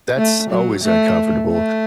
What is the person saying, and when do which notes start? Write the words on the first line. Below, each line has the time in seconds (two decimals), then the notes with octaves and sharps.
that's always uncomfortable,
0.17 A3
0.50 F#3
0.84 A3
1.52 A3